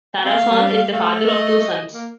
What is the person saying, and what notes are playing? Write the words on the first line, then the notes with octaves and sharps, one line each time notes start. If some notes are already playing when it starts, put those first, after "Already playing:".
Sarasohn is the father of two sons.
C4 F5
A#3
A3
G3
A3
D#5
A#3